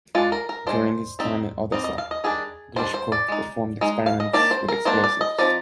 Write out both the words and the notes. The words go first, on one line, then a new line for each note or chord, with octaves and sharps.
During his time in Odessa, Glushko performed experiments with explosives.
G#3 D4 F4
A#4
A#4
G#3 D4 C5
G3 C4 D#4
G3 C4 D#4 D#5
D#5
F5
D#5
D#3 G3 D4 G#4
D#3 G3 D4 C5
C5
D5
G#3 D#4
G#3 D#4
F5
D#5
D#3 A#3 D4 D5
C5
A#4
D#3 A#3 D4 C5
D5
D#5
F3 C4 D#4 D5